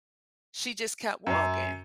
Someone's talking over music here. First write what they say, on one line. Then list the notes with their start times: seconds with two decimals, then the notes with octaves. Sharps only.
she just kept walking,
1.27 F#2